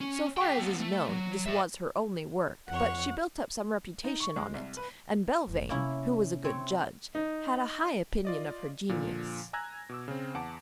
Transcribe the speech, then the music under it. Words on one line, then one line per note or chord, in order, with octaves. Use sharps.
So far as is known, this was her only work, but she built up some reputation on it, and Belvane, who was a good judge, had a high opinion of her genius.
C#4
G#4 G5
A3 B3
A3
F#3
C#5 E5
F2 C#5 F#5
D#4
C#6
G#3
C2
B4
F1 G#3
C3 A#3 C#4 E4
A3 C4 C#5
D#4
F4 D5 D#5
A#2 D3 F3
G#5 A#5 E6 F#6 G#6 A#6
B2 D6 E6
C#3 C4
E2 F#5 A5 D6 D7